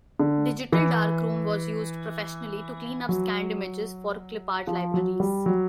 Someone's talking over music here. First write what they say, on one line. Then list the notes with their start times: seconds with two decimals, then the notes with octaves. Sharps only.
Digital Darkroom was used professionally to clean up scanned images for clip art libraries.
0.20 D3
0.72 E3
3.09 F#3
4.67 F3
4.94 F#3
5.20 G3
5.46 F#3